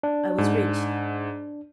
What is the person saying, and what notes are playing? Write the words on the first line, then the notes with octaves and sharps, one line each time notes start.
I was rich.
D4
G#2